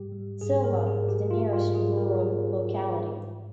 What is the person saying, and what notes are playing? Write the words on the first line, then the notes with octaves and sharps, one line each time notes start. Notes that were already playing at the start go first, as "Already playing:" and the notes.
Sylva is the nearest rural locality.
Already playing: G#2 G3 G4
G3
G#2 G#4
A#4
G#2
G#4
G3
G4
G3 F4
F4
G#2
G#4
G#2
A#4
G#2 G#4
G3
G#2
G#3